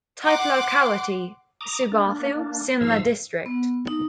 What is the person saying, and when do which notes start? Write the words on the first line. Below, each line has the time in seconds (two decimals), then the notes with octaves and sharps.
Type locality: Subathu, Simla District.
0.24 F#5 C6 D6 F#6
1.61 A#5 D6 D#6
1.92 A#3 D4
2.81 G#2 F3 F5 E6
3.46 B3
3.87 D#4